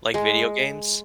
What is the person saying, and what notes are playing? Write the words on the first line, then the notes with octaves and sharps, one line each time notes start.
Like video games?
G#3